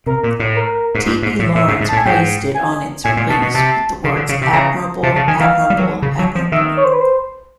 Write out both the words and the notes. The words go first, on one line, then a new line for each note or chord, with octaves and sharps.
T. E. Lawrence praised it on its release with the words Admirable, admirable, admirable.
C3 A#4
A#2
A2
A#4
G#2
G2
G#2
A2
A2 E5
G#2
G#2
A5
A2
G#5
G#2 G5
G#5
A2 G#5
A#2
B2 A5
B2
C3 A5
C#3
D3
C#3
C3
C#3 A#5
C3 A5
C#3 A5
D#3 G#5
E3 F5
G3
F#3
C#3
F#3
F3
D#3 E5
C#5
C5
B4
C5